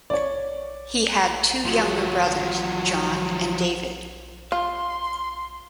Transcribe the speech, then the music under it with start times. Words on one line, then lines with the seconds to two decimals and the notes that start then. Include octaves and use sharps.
He had two younger brothers, John and David.
0.10 C#5 D5
1.66 F3 F#3
4.52 F4 C6